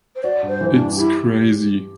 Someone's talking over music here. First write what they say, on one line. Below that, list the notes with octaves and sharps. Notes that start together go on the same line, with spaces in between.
It’s crazy.
C5
F#4 D5
G2
C5
E3
D4
G2
E4 G4